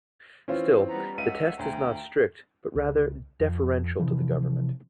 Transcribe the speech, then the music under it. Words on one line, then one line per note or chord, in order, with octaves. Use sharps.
Still, the test is not strict but rather deferential to the government.
E3 C4 C#4 F4
G3 B3 A#5
C#2 E5 F#5 D#7
D2 G5 A#5
C#2
F2
C3 E3 F3